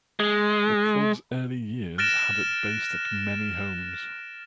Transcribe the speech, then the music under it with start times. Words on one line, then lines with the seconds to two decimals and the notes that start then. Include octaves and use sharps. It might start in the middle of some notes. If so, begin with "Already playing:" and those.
The club's early years had it based at many homes.
0.20 G#3
1.98 F6 F#6 A6 A#6 D7 E7